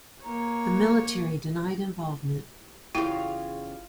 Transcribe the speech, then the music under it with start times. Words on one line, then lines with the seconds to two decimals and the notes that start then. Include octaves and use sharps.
The military denied involvement.
0.24 A#3 C#5 A#5
2.95 F#1 E2 C#3 E4 F4 G4 F5